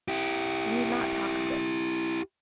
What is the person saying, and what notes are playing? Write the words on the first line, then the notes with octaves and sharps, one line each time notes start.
You need not talk of this.
E4 G4